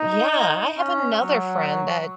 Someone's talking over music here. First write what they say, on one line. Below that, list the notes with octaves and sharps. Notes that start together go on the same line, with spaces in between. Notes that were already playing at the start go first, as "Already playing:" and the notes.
Yeah, I have another friend that
Already playing: D#4
C#4
F#3